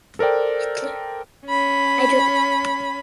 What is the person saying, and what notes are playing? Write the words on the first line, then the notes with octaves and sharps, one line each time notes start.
Hitler: I don't know.
A4 A#4 C5 D5 G5
C#4 B5